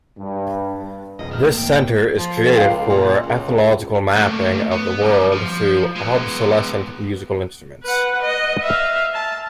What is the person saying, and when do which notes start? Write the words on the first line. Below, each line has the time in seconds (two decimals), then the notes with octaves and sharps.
This centre is created for ethnological mapping of the world through obsolescent musical instruments.
0.18 G2
1.19 C2 F#2 F3 G#3 D#5
1.31 A2 D#3 F6
1.44 B1 E2 A#3
1.58 G#2 G5
2.17 F3
2.37 A4
2.56 C#2 G#4 F5 G5
2.89 A#2
3.26 C#2
4.16 A3 A#3
4.71 B3
5.01 F#2 G3
5.32 F3
5.96 G#3 B3
7.84 B4 F#5
8.22 D#5
8.63 E5 F5
9.14 A5